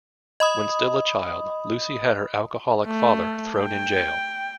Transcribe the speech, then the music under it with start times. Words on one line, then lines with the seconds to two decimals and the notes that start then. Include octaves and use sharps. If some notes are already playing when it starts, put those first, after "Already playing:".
When still a child, Lucy had her alcoholic father thrown in jail.
0.40 D#5 B5 D#6
2.86 A3
3.59 G5